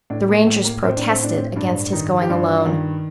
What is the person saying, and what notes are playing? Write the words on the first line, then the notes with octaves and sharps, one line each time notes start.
The rangers protested against his going alone.
A2 D4
A#3
A2 A3
A#3
A2 C4
D4
C4
A2 D4
C4
G2 D4
D#3 D#4
G4
G2 F4
D#3